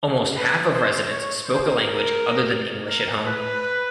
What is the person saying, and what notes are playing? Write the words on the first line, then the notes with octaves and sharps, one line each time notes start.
Almost half of residents spoke a language other than English at home.
B4
C5
C#5
C5
A#4
A#4
B4